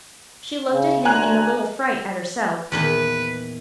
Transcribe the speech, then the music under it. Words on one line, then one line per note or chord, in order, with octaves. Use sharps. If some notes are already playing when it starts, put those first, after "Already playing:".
She looked at him in a little fright at herself.
C#3
D2 G#5 A#5 F#6
E2 A#2 D#3 B4